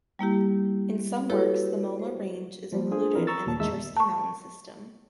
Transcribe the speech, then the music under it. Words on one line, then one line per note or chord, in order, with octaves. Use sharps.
In some works the Moma Range is included in the Chersky mountain system.
G3 A#3 E4 G4
E4 F#4 G4 A4 B4 C#5
C5
F3 G3 A#3
D4 F4 G#4 C5
E3 F3 C4 E4 A#4
A#5 C#6 E6 A6
D#2 A#2 A5
E2 D#3 G#3 E5 E6
A5 C#6